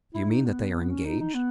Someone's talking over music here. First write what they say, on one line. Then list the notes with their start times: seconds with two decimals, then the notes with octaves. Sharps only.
"Do you mean that they are engaged?"
0.15 E4
0.30 D#4
0.46 B3
0.90 C#4
1.05 D#4
1.20 D#4
1.34 B3